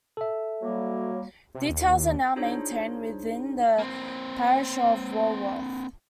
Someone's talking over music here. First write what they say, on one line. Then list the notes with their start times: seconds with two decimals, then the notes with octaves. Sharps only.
Details are now maintained within the parish of Walworth.
0.17 A4 E5
0.62 F#3 G3 A#3
1.55 C3
1.69 D#2
2.36 D4 D#4 F4 G#4 C5 C#5
3.78 A#3 C4